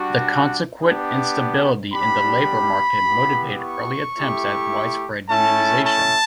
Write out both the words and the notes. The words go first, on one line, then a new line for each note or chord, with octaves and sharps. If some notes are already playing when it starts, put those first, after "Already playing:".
The consequent instability in the labor market motivated early attempts at widespread unionization.
Already playing: G3 D4 F#4
B3 D4 G4
G3 B3 D4 G4 B5
B3 E4 G4
C#6
A3 E4 G4
A3 C#4 E4 A5
A5